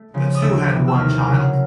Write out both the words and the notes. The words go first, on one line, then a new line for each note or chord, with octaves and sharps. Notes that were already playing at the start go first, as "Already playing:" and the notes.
The two had one child.
Already playing: A3
C#3 F3
D#6
D2 E6
C3 E3
E6
D#2 F6
C#3 F#3 A#3